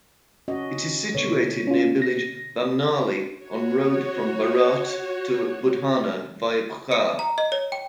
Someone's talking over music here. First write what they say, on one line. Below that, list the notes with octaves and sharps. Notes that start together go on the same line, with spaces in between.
It is situated near village Bamnauli on road from Baraut to Budhana via Puchar.
C#4 F#4 D#5
B2 D3 C#5
C#4 F4
A#6
F#4 C#5
C#7
A#5
D#5
C#5
G5